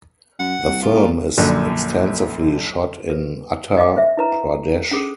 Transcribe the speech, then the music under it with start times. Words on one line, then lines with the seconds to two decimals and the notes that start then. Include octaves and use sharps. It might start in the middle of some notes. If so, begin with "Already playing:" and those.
The film is extensively shot in Uttar Pradesh.
0.40 F#2 F#5
0.66 C2
0.82 F4
0.96 A#2
1.38 A#1 F#2 D3
3.10 B4
3.77 D5 D#5 F5 D6
3.97 C5 E5
4.17 E4 B4 A#5
4.91 C#4 G#4 A4